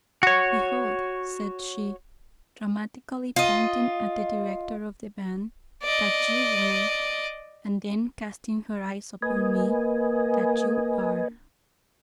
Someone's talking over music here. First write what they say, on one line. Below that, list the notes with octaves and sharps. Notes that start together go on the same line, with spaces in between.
Behold," said she, dramatically pointing at the director of the band, "that you were," and then casting her eyes upon me, "that you are.
F#4 C#5
F4 D#5
D5 D#5
A#3 B4 D#5 G#5